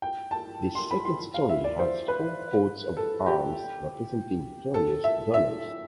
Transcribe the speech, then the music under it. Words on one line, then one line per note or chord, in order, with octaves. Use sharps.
The second story has four coats of arms representing various donors.
G5
A5
C6
B5
C6
F5
E5
D5
C5
B4
A4
G4
A4
E5
E5